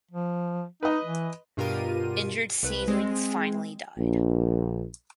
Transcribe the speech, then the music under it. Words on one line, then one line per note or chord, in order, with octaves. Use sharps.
Injured seedlings finally died.
F3
D#4 B4 D#5
E3
G2 B2 F4 G4 A#4 D#7
C2 B4
G#3 C4
A#1